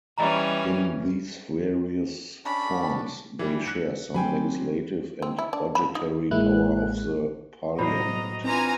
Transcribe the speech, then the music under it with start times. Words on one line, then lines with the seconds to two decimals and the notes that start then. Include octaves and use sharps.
In these various forms they share some legislative and budgetary power of the Parliament.
0.18 E3 G3 C#4 D5 D#5 A#5
2.45 C#4 D4 D5 B5
3.39 E3 G3
3.65 F#6 C#7
4.14 F#3 C4 G4 G5 G#5 B5
5.22 C4
5.39 E4
5.53 D4
5.75 B5
5.95 D#4
6.31 A1 G#3 A#3 E4 F#6
7.78 A2 F#3 C5 D5 D#5 A#5 B5 C7
8.44 E3 C4 D4 F4 G#5 A#5